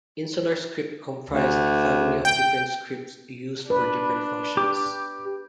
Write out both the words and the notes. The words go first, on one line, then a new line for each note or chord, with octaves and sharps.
Insular script comprised a family of different scripts used for different functions.
D2
G5
D4 B4
G4 D6